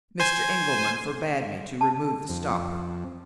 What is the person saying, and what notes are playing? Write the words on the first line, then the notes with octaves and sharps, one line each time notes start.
Mr. Engelman forbade me to remove the stopper.
C5 G#5
A5
F2